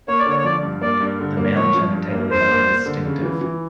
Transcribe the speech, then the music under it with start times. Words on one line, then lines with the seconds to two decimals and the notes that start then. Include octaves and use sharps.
The male genitalia are distinctive.
0.08 A#3 C#5
0.19 D5
0.26 D3 C#5
0.38 C#5
0.44 F3 D5
0.63 G2
0.81 A#3 D5
1.00 G2
1.20 D3
1.37 A#3
1.56 F3 C#5
1.75 F3
1.93 G2
2.12 A#3
2.31 G2 C5
2.48 A#3
2.67 A#3
2.86 D3
3.05 C#3
3.23 E3
3.41 E3